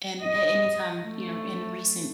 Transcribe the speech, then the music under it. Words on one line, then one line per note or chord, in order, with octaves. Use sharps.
an a any time, you know, in recent
D#5
A3